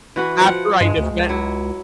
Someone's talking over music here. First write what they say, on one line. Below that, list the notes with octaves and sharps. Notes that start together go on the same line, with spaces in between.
after I defend
E3 F#4 B4
F3 F#5
G2 G#3
D2
C#2
F#3 E4